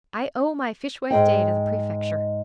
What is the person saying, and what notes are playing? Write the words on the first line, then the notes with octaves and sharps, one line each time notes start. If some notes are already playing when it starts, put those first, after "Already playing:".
"I owe my fishwife day to the prefecture."
G#2 G#4 D#5 G5